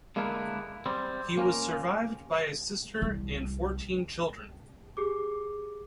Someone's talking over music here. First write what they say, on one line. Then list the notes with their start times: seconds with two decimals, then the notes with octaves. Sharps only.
He was survived by a sister and fourteen children.
0.16 D3 G#3 A#3 B3 E4 A#4
0.86 G3 C4
1.38 A#3 C#4 F4 A#4
3.02 C2
4.97 G4 G#4 D6